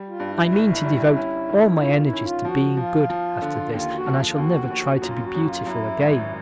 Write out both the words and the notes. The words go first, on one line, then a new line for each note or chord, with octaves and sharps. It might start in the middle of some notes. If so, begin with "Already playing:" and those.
I mean to devote all my energies to being good after this and I shall never try to be beautiful again.
Already playing: G3
F4
G2
E4
G1
G3
C#4
D#3
D#3 F4
E4
C#4
F4
F3 F#4
F3 F4
F3
D3
D#2 F4
F#4
F3
F4
F4
D#2 F#4
D#2
F#2 F4
F#4
F#2
F4
F#2 E4
G#1